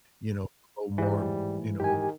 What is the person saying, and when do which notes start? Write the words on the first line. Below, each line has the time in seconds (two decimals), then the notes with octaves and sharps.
you know, grow more, you know,
0.98 G#2 E3 G3
1.80 D#3 G4 G#5